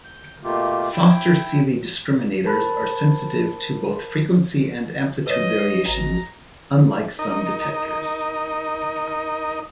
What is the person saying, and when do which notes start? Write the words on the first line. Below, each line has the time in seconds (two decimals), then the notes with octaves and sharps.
Foster-Seeley discriminators are sensitive to both frequency and amplitude variations, unlike some detectors.
0.04 G6
0.43 B2 A3 A#3 F4 G4
0.93 E4 G5
2.44 A#4 C5 A5 B5 F#6 A6
5.27 B4 C#5 D#5
5.87 G#1 F#4 A#5
7.19 D#4 A#4 D#5